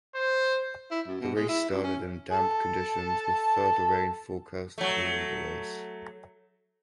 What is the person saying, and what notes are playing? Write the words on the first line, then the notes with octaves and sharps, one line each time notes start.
The race started in damp conditions with further rain forecast during the race.
C5
E4
F#2
B2
G#3
E4
F#2
C#4
A4 A5
F#3 A3